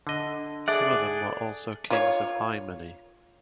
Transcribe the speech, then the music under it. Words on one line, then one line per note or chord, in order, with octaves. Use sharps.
Some of them were also Kings of Hy-Many.
D3 D#5
G#4 A4 D5 E5 F#5
F4 C#5